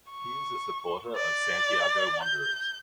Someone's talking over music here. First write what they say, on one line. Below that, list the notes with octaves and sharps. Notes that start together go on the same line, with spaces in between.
He is supporter of Santiago Wanderers.
C#6
D5
G6